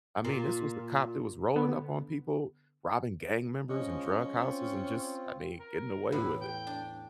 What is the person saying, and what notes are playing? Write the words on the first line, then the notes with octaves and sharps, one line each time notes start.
I mean, this was the cop that was rolling up on people, robbing gang members and drug houses and just, I mean, getting away with it.
A#2
D3 B3
F3 G#3 C#4 D#5
C4 F4
A#4
E2 A2 B4 F5
G5
D4